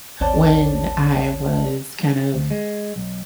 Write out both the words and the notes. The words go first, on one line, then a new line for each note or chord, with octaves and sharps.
when I was kind of
A1 D#2 C4 C#5 D5 A5
D2
G#3
B1